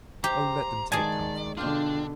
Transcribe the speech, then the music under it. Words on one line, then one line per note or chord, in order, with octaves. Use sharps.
Oh let them take comfort!
G4 C5 A#5
D#3 G#3 G#4 D5 G#5 A5
B2 D3 D4 F4 F5 G5